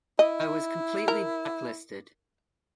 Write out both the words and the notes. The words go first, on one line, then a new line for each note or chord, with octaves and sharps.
I was completely black-listed.
E4 D#5
A#4